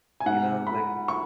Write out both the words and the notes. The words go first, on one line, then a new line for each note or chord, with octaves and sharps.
you know, like
G#5
G#2 G#3 F#5
B5
C#6